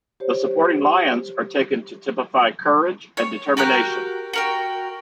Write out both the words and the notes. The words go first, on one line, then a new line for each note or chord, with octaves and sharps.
The supporting lions are taken to typify courage and determination.
G4 C5 C#5
C#5
F#4 G4 A#4 F#6
F#4 A#4 G5